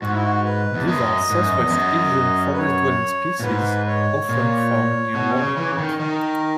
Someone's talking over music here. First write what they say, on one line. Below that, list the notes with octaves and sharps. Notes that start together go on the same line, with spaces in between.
These are southeast Asian forest-dwelling species, often found near water.
G#2 F#4
E4
F#4
B4
E2
F#2 D#5
G#2
F#2
E2
F#2
B4
C#5
A#2
G#2 B4
C#5
A#2
B2
C#3
E3
C#3
D#3
D#3 A#4